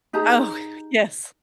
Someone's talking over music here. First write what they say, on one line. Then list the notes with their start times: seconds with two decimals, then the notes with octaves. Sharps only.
Oh, yes.
0.13 D#4 G4 G#4 A#5